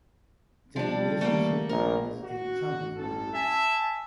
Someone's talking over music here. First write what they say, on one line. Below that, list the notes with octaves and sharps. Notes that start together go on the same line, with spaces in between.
Their relationship was a troubled one.
F3 G3 D4
A3 A#3
A#1 A#4
F#4
A1 A4
E5 G#5 A5